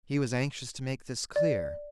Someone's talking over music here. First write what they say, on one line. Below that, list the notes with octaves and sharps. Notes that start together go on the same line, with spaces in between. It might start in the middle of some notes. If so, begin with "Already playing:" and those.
He was anxious to make this clear.
D5